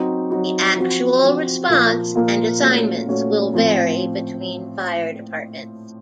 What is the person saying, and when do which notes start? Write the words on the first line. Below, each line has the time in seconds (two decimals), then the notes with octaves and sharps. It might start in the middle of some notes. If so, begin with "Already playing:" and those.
The actual response and assignments will vary between fire departments.
Already playing: F#3 C4 D#4 F#4
0.30 F#3 C4 D#4 F#4
0.76 F3 C4 F#4
1.22 F3 C4 F#4
1.68 A#2 F3 A#3 F4
2.15 A#2 F3 A#3 F4
2.61 A#2 A3 C#4 F#4
3.07 A#2 A3 C#4 F#4
3.54 A2 F3 C4